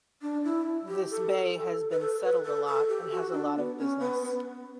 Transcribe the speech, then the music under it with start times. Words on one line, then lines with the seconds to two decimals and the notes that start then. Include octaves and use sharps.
This bay has been settled a lot and has a lot of business.
0.22 D4
0.44 E4
0.88 G4
1.11 A4
1.55 A4
1.90 B4
2.00 A4
2.22 B4
2.44 A4
2.66 A4
2.89 G4
3.11 F#4
3.33 D4
3.56 B3
3.78 C#4
4.00 B3
4.22 B3